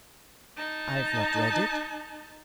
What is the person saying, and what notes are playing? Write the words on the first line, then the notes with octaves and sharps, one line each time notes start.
"I've not read it."
D#4 A5